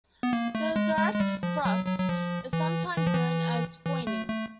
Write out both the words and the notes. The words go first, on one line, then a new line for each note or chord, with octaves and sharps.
A direct thrust is sometimes known as "foining".
B3
A#3
A3
G#3
G#3
G#3
G3
F3
F#3
F#3
F#3
F3
E3
E3
F3
E3
E3
A3
A3